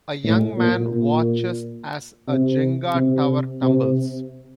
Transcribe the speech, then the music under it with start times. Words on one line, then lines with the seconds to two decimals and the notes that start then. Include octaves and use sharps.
A young man watches as a Jenga tower tumbles.
0.24 A2
0.57 A#2
0.92 A#2
2.28 C3
2.94 C3
3.63 C3